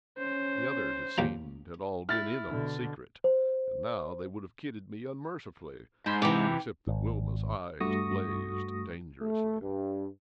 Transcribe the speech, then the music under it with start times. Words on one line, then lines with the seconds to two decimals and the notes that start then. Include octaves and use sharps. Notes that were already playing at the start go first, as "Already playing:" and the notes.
The others, it seemed, had all been in on the secret, and now they would have kidded me unmercifully, except that Wilma's eyes blazed dangerously.
0.19 C#4 C5
1.18 D#2 A#2 A#5
2.09 E4 F6 A6
2.49 B2 D3
3.24 C5
6.06 G#2 C5 B5
6.22 C3 E3 G4 D6
6.87 G#1
7.80 G2 A3 F#4 C#6 D#6 A#6
9.21 A3
9.61 G2